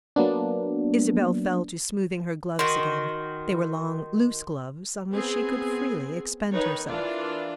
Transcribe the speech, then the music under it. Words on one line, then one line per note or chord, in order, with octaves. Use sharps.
Isabel fell to smoothing her gloves again; they were long, loose gloves on which she could freely expend herself.
F#3 A#3 B3 D4
D#3 F#4 C6
B3 C4 G#4
D#3 D#4 B4 C#5
E3 D4 F4 A#4 D5